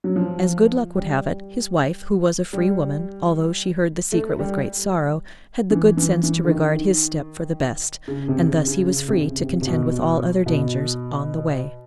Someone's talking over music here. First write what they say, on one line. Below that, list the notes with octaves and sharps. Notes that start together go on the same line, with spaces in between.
As good luck would have it, his wife, who was a free woman, although she heard the secret with great sorrow, had the good sense to regard his step for the best, and thus he was free to contend with all other dangers on the way.
F#3
F3
G3
G3
A3
G3
E3
E3
E3
D3
D#3
C#3
C3
C#3
C#3
C#3
C3
C#3
C3
C3
B2
B2